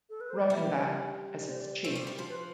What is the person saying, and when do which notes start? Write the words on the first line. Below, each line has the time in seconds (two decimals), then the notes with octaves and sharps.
Rockenback as its chief.
0.09 A4
0.20 B4
0.30 C5
0.40 D5
0.50 G3 E5
1.40 D5
1.50 C5
1.60 D5
1.84 A3 C5
1.95 G3
2.07 G3
2.18 F3
2.29 B4